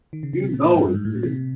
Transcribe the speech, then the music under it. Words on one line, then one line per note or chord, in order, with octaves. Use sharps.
You know it is!
D#3
C#3
C#3
C3
A#2
A#2
G#2
G2
G#2
A2
A#2
C3